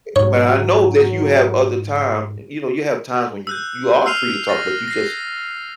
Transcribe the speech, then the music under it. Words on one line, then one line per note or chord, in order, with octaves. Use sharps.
eh, but I know that you have other time, you know, you have times when you you are free to talk, but you just
G#2 F#3 C#5
E6 F#6 G6
E6 F6 C7 D#7 F7
A6 A#6 D#7
A#6 C7